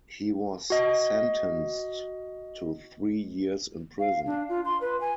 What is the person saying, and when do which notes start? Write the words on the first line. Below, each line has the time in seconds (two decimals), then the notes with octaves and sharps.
He was sentenced to three years in prison.
0.70 F#4 D#5
3.99 F5
4.26 D4
4.49 F4
4.65 C6
4.81 B4
5.01 G#5